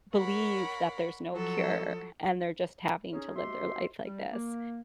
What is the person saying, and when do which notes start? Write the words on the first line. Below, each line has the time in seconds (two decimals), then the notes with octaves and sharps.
believe that there's no cure and they're just having to live their life like this.
0.15 A#4 C#5 F#5 B5
1.32 F3 F#3 A4
3.12 C#4 D#4 G#4
3.36 D#4 F#4 G4 C5 E5 C6
4.05 G3
4.32 A#3